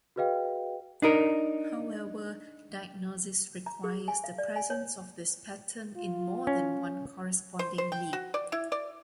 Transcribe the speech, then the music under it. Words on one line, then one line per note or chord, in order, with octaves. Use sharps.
However, diagnosis requires the presence of this pattern in more than one corresponding lead.
F#4 G#4 B4 D#5 F5 G5
D4 D#4 A#4
A#5
G#4
G#5
F5
D5
G#5
C#5
F4
C#4
C5
C5
G5
F#4
D5
E4
D5